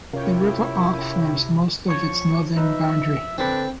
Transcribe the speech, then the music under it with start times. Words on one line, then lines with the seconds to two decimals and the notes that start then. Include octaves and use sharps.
The River Ock forms most of its northern boundary.
0.13 C3 C#4 E4 F4 A#4 C#5 F5 G5
1.88 F3 C#5 C#6
2.56 D#4 B4 E5
3.38 D3 C4 D4 A4 B4